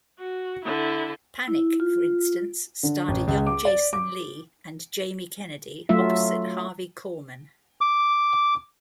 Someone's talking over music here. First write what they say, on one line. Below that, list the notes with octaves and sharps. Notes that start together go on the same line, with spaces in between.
"Panic", for instance, starred a young Jason Lee and Jamie Kennedy opposite Harvey Korman.
F#4
D3 E4
E4
F4
D3
A1
C#2
D6
D5
D6
F#3 A3 F4 E5
D6